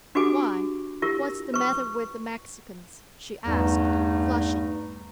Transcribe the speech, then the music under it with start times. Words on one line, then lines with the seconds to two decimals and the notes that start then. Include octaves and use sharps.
"Why, what's the matter with the Mexicans?" she asked, flushing.
0.15 D4 F#4 G4 A4 G#5 D6
1.02 E4 F4 G4 A#4
1.54 B4 C#6
3.45 E2 G2 G3 A3 D#4